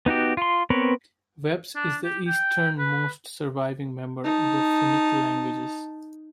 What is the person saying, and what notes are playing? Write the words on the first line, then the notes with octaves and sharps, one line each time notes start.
Veps is the easternmost surviving member of the Finnic languages.
B3 D#4 F#4 G4
F4 C6
B3 C4 A#4 B4 C#5
D4
G4
G5
B4
D#4 A5